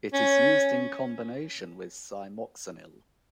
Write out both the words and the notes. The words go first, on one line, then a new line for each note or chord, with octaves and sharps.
It is used in combination with cymoxanil.
C#4